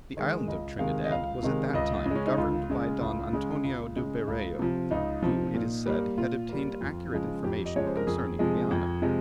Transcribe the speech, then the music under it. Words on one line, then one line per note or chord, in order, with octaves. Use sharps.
The island of Trinidad was at that time governed by Don Antonio de Berreo, who, it is said, had obtained accurate information concerning Guiana.
D#3 G#3
C#2 D#5
C3 D#3 G#3 F5
D#5
C#2 F5
C3 D#3 G#3
C#2 D#5
C#3
G#3 C#4
D#4
C#2 F4
C#3 G#3
C#2
C#3 G#3
C#2
C#3 G#3
C#2
C3 F3
C#2 D#4
C3 F3
A#2
G3 A#3
A#2 F4
G3 A#3
F2
C#3 F3 G#3
F2 G4
D#5
C#3 F3 G#3 C#5
C5
A#4
F2 G#4
C3 F3 G#3
F2
C3 F3 G#3